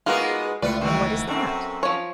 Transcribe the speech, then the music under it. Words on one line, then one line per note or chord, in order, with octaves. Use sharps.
"And what is that?"
G#3 A#3 B3 D#4 F4 F#4 G#4 B4
C#2 A2 A3 F4 B4 D5 C#7
D#3 E3 F#3 C5
F#2 C4 A4 A#5 C#6
F3 C#5